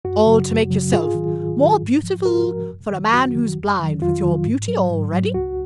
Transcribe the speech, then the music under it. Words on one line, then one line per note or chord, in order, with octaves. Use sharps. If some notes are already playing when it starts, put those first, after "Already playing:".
"All to make yourself more beautiful for a man who's blind with your beauty already?"
F#2 F#4
C#3 F#3
F#2
C#3 F#3
G#2 F4 G#4
D#3 F#3
G#2
D#3 F#3
G#2
F3
G#2 F#4 A#4
F3
F#2
D#3 F#3
F#2 F#4
D#3 F#3
F2
D#3 F#3
F2 F4
D#3 F#3
G#2
F#3
G#2
F#3
C#2 F#4